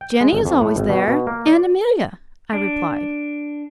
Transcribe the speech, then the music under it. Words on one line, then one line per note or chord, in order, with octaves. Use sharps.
"Jenny is always there, and Amelia," I replied.
G5
G#3
G#1
F2
A2
G#1
B2
B2
A#3
D5
D4